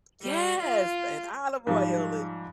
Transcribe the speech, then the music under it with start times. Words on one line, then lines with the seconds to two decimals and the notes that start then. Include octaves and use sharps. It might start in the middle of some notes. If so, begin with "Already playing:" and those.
Yes! And Olive Oyl and
0.21 G3
0.59 F4
1.67 G#2 F3 G3